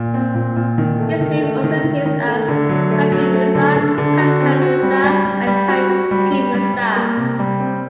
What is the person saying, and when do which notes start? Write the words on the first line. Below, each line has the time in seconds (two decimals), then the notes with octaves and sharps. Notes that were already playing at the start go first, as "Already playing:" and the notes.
His name also appears as Kankou Musa, Kankan Musa, and Kanku Musa.
Already playing: A#2
0.14 C4
0.35 A#2
0.56 A#2
0.78 D#3
0.99 A3
1.21 D#3
1.41 A3
1.64 D#3
1.84 D#3
2.06 D#3
2.27 A3
2.48 D3
2.69 F#3
2.91 A3
3.12 F#3
3.34 A3
3.55 D3
3.76 D3
3.98 D3
4.19 F#4
4.41 C4
4.62 F#4
4.83 G3
5.04 G3
5.25 G3
5.47 G3
5.68 F#4
5.90 F#4
6.11 G3
6.32 G3
6.54 G3
6.74 G3
6.96 A#3
7.17 C3
7.39 G3
7.60 C4